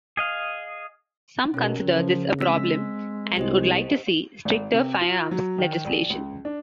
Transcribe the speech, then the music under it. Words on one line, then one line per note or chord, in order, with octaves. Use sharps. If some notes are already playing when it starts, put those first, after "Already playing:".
Some consider this a problem and would like to see stricter firearms legislation.
G#4 D#5 F5
B2 C#4 A#4
C#3 F3
G#3 C4 E6 B6
C2 G4 C5 D#5
G#1
C3
F4
F#3
D#3
A#1
C#2
D4